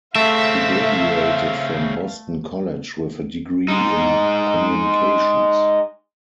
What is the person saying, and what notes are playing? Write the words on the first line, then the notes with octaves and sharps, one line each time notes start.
He graduated from Boston College with a degree in communications.
C#3 A3 C4 E5 F5
G#3 D#4